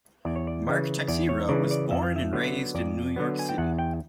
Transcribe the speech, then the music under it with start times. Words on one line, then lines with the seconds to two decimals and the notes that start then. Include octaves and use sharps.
Mark Texeira was born and raised in New York City.
0.25 E2 D5
0.36 C#5
0.47 D5
0.67 C#3 E3
1.08 E2 D5
1.29 C#5
1.49 C#3 E3 D5
1.71 D5
1.91 F2 E5
2.03 F5
2.16 E5
2.33 D3 F#3 B3
2.75 F2 D5
3.16 D3 F#3 B3
3.39 G#5
3.49 G5
3.58 E2 F#5
3.79 G5